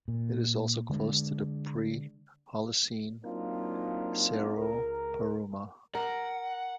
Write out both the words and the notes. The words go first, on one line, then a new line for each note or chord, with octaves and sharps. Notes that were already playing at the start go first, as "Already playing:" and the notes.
It is also close to the pre-Holocene Cerro Paruma.
A#2
D3 G#3
F#3 A#3 C4 D4 D#4 F4
C#2 A#4
A#4 F#5